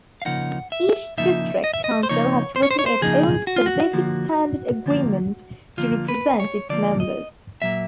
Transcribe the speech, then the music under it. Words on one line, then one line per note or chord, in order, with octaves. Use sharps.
Each district council has written its own specific Standard Agreement to represent its members.
F5
C#3 F3 A#3 D#4 F#5
E5
C#3 F3 A#3 D#4 E5
D#5
E5
D#5
C5
C#3 F3 A#3 D#4 C#5
C5
C#5
C5
C#5
C5
C#3 F3 A#3 D#4 G#4
F#4
F4
F#4
D3 F3 A#3
D3 F3 A#3
D3 F3 A#3 F4
B4
C#5
D3 F3 A#3 D5
D#5
A#2 F#3 A#3 E5